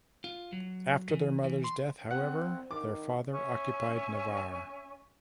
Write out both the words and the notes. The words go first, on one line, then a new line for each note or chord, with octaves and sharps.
After their mother's death, however, their father occupied Navarre.
F4
F#3
E3
E3
C6
C4 F#5
D#3 D6
C#4 E5 G#5 C#6